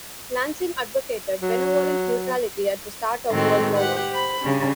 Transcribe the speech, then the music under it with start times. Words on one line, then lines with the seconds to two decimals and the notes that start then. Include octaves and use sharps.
Lansing advocated "benevolent neutrality" at the start of World War One.
1.43 F#3
3.31 A2 D#3 G#3 C4 F#4 A4
3.76 G4 B4 F#5
4.11 C5 B5
4.41 C#3 G3 C#4 D4